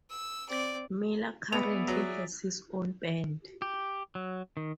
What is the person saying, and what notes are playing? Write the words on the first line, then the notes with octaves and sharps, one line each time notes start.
Miller currently has his own band.
E6
C4 D5
B3 G#4 D5 E5 F7
F#3
G4
F#3
D#3